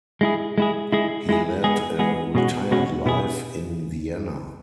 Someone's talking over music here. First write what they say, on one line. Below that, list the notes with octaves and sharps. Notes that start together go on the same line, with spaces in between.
He led a retired life in Vienna.
G#3 E4 G#4
G#3 E4 G#4
G#3 E4 G#4
G#3 E4 G#4
G#3 B3 G#4
G#3 B3 G#4
B2 G#3 C#4 F#4
B2 G#3 C#4 F#4
B2 B3 E4 G#4